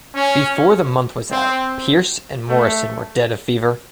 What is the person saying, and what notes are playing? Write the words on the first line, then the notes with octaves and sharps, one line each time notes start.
Before the month was out Pearce and Morrison were dead of fever.
C#4
C4
A3